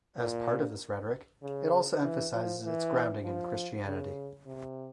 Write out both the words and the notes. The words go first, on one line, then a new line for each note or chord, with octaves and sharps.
As part of this rhetoric it also emphasises its grounding in Christianity.
A#2
C#3
E3
F3
E3
F3
C#3
C3